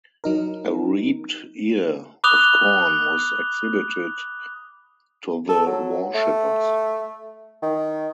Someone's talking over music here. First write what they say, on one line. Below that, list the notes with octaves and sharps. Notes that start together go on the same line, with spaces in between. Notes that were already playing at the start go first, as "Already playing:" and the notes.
A reaped ear of corn was exhibited to the worshipers.
F#3 D#4 A#4
B5 D6 D#6 F#6 F7 G7
A4
F#3
A3
D#3